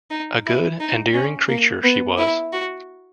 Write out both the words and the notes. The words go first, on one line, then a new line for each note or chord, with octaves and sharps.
A good endearing creature she was.
D#4
E4
D#4
C#4
A#3
B3
E4
F#4